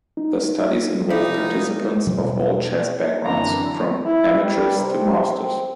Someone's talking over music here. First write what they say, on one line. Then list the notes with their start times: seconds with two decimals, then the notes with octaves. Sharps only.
The studies involve participants of all chess backgrounds, from amateurs to masters.
0.17 D#4
1.10 F1 D#4 E4 D5
2.07 E2 B2 F#3 G3
3.24 F#2 D3 E3 C4 D4 A#5
4.05 E4
4.42 G3
4.78 C3
5.32 C4